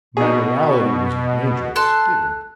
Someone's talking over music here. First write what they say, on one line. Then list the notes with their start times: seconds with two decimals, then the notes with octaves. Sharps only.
My morality was in danger of skidding.
0.17 B2 D#4 G#4 C#6
1.76 A4 A5 C6 F#6